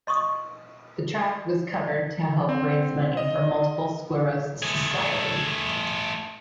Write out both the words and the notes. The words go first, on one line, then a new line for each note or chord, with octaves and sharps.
The track was covered to help raise money for Multiple Sclerosis Society.
D#5 C6 C#6 D#6
C4
D#5
A3 G#4